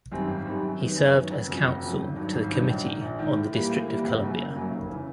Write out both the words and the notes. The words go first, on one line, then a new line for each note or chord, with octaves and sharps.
He served as counsel to the Committee on the District of Columbia.
F#2 D#3 G3 C4
G#1
F#2 D#3 G3 C4
F#2
D#3 F#3 B3
F#2
D#3 F#3 B3
F#1
F2 C#3 F#3
F#1
F2 C#3 F#3
G#1
G2 D#3 F#3
G#1
G2 D#3 F#3
A#1
G#2 D#3
A#1
G#2 D#3
A2
E3 G3 A#3
A2
E3 G3 A#3
F#1
F#2 C#3 F#3 A#3
F#1
F#2 C#3 F#3 A#3
F1
C#3 E3